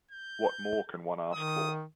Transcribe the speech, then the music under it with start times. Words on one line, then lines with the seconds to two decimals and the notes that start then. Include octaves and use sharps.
What more can one ask for.
0.11 G6
1.33 D#3 D#6